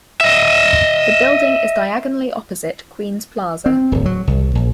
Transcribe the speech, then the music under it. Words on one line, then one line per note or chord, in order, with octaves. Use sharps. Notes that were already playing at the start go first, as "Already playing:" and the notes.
The building is diagonally opposite QueensPlaza.
D#5 E5
C4
D1
F#3
C2
A#1